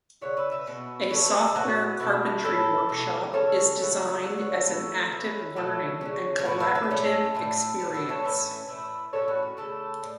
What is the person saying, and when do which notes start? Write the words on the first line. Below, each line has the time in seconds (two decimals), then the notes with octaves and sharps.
A Software Carpentry workshop is designed as an active learning and collaborative experience.
0.22 C#3 A3 E4 C#5 F#5
0.37 B4 E5
0.51 B4 E5
0.66 B2 B3 E4
1.11 E3 A3 E4 A4 C#5
1.26 F#4 B4
1.41 A4
1.55 A2 F#3 B3 E4 F#4
2.00 B2 A3 E4
2.44 A2 E3 C#4 E4 A4
2.89 B2 A3 E4
3.33 C#3 E3 C#4 A4 C#5
3.78 C#3 F#3 B3 E4
4.23 C#3 A3 E4 C#5 F#5
4.38 C#5 F#5
4.52 A4
4.67 A2 F#3 A3 E4 A4
5.12 E3 C#4 E4
5.56 B2 F#3 A3 E4 A4
6.01 C#3 E3 C#4
6.39 C#5
6.45 A2 E3 B3 F#4 B4
6.60 B4 E5
6.75 B4 E5
6.91 A2 A3 C#4 E4
7.35 A2 A3 E4
7.79 A2 F#3 B3 F#4
7.94 A4
8.09 A4 C#5
8.24 A2 E3 C#4 B4 E5
8.68 A2 A3 E4
9.13 A2 E3 C#4 E4 A4 C#5
9.28 F#4 B4
9.43 F#4
9.57 C#3 A3 E4 A4
10.03 A2